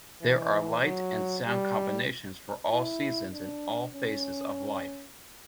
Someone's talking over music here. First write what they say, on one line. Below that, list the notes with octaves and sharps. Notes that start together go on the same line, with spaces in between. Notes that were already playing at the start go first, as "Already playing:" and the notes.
There are light and sound combinations for all seasons and all phases of life.
E3
F#3
G3
E4
D4
C#4